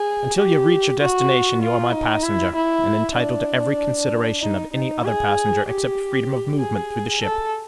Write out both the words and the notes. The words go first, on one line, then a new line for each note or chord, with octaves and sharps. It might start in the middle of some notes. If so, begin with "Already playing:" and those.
Until you reach your destination, you are my passenger and entitled to every consideration of any other passenger except freedom of movement through the ship.
Already playing: G#4
G4
F#4
F4
D#4
E4
E4
D4
D#4
D#4
G#4
G4
G#4
A4